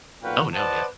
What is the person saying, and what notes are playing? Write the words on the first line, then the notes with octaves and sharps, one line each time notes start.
Oh no, yeah.
B1 A#2 F#4 B4 F5 G5
B4 C5 D5 D#5 F#5 A5